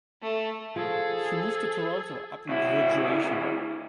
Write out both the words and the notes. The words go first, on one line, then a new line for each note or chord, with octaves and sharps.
He moved to Toronto upon graduation.
A3
F3 G#4 A4
D2 E4